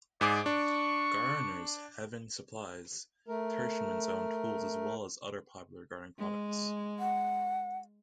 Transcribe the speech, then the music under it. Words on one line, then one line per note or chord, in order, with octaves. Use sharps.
Gardeners' Heaven supplies Titchmarsh's own tools as well as other popular gardening products.
G#2 G#4 D5 D6
D4 C#6
A3 A#4
G#3
F#5